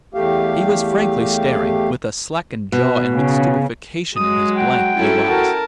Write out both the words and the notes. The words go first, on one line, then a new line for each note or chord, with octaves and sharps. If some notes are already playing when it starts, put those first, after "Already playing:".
He was frankly staring, with a slackened jaw and with stupefaction in his blank blue eyes.
E2 A3 G4 F5
B2
C#3
F#3 G#3 D#6
F#5 G5
F#3 C#4 E4 A4
F#4 A#4 A5